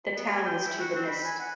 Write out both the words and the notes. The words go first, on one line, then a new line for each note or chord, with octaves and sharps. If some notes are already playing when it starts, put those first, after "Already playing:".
The town was to the Mist.
B3
G#5
G5
E4
F#4
C4
B5
G#5
F#5